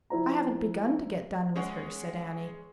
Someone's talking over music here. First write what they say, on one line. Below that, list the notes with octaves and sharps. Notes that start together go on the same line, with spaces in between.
"I haven't begun to get done with her," said Annie.
F3 E4 C5 A#5
G#3 C#4 G#4 C#5 F#5